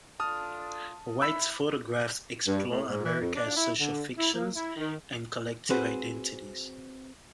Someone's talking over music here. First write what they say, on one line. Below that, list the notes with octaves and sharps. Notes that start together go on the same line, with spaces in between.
White's photographs explore America's social fictions and collective identities.
D4 F4 A4 A5 D#6 F6
E4 B5 E6
G2
A2
G#2
E3
F2
D4
E4
D3
E4
A#3
E4
D#3
C4 F#4 G#4 B4 C5